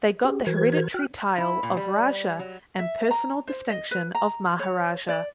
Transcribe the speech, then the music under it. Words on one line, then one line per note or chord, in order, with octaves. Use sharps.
They got the hereditary tile of Raja and Personal distinction of Maharaja.
C#4 G4 G#4
E3 F#4 A#4 C5 G#6
F#4 G5 F6 F#6
E4
A#2
G3
F#3
E5
A#5
C5
D#5
B4
A#5
C#5
D5